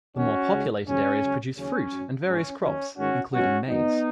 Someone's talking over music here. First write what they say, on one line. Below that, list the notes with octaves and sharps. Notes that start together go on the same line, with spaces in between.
The more populated areas produce fruit and various crops, including maize.
D#2 D#3 F#3 C#4 F#4
C#2 C#3 G#3
D#2 C#3 F#3 C#4
C#2 C#3 F#3
D#2 C#3 F#3 C#4
F#2 F#3
G#2 G#3 C#4
D#2 D#3 F#3 C#4
G#2 D#3 G#3 C#4 F#4
C#2 B2 F#3 C#4 F#4
F#2 D#3 F#3 B3 D#4